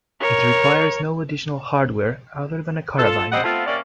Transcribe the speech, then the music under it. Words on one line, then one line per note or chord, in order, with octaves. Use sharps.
It requires no additional hardware other than a carabiner.
A#4 C#5
F4 A4
G3 C4 C5 D#5 F#5
A3 B3 C4 F4
C3 A#3 C#4 D5